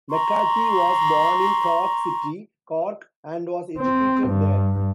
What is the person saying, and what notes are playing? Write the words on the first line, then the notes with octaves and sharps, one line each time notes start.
McCarthy was born in Cork City, Cork, and was educated there.
A#5 C6 C#6
C4
G2